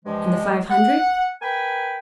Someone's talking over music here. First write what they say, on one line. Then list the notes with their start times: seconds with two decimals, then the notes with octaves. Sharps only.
"And the five hundred?"
0.05 G2 E3 F3 G#3
0.70 F#5
1.42 A#4 B4 G5 G#5 B5